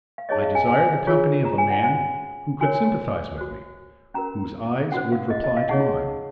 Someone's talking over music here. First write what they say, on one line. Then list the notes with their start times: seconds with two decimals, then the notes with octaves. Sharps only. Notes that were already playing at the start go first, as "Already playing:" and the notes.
I desire the company of a man who could sympathize with me, whose eyes would reply to mine.
0.18 F5
0.29 D#4 G#4 C#5 D#5
0.42 F5
0.55 G#5
0.68 G#5
1.07 F4 G#4 C#5
1.45 A#5
1.58 G#5
1.70 F#5
1.83 C#4 F#4 C5 G#5
2.61 F#4 A#4 C#5 G#5
3.38 F#4 C5
4.14 C#4 F#4 A#4 A#5
4.92 C#4 F#4 C5 F#5
5.12 F5
5.30 D#5
5.44 D#5
5.57 F5
5.69 D#4 G#4 C#5 F#5